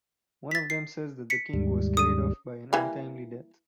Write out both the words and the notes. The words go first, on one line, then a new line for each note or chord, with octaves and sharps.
One of them says that the king was carried off by an untimely death.
A6 B6
C7
B6 C#7
D#2 G#2 G3
D#6 D#7
E3 G3 A#3